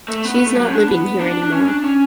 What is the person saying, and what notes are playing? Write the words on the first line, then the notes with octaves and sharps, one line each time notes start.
She’s not living here anymore.
A3
B3
B3
A3
F#3
D4
B3
D4
D4
C#4
D4
C#4